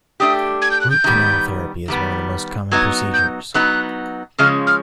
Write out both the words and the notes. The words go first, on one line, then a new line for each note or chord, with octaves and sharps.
Root canal therapy is one of the most common procedures.
A3 D4 G4 D#6
G#6
G6
F#6
G6
D#3 G3 B3
D#3 G3 B3
F#3 B3 D#4 G#6
G6
F#3 B3 D#4 F#6
C#3 F3 G#3 C#4 F6
F6